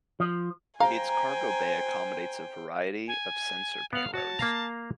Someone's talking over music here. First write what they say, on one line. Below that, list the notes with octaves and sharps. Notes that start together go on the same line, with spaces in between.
Its cargo bay accommodates a variety of sensor payloads.
F3
C5 F5 G5 G#5 A#5
G#5
B3 F5 F#5
F#4 C#5 A5
A#3 F5 A#5